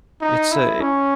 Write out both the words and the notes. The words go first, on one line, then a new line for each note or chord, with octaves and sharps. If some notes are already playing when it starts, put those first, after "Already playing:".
it's a
D#4
E4
C#4